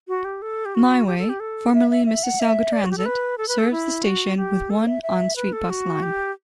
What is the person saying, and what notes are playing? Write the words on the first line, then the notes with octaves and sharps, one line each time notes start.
MiWay, formerly Mississauga Transit, serves the station with one on-street bus line.
F#4
G4
A4
G4
F#4
G4
A4
G4
A4
E5
E5
E5
F#5
E5
D5
F#4
G4
A4
B4
A4
B4
A4
E4
F#4
G4
A4
E5
E5
B4
A4
F#4
G4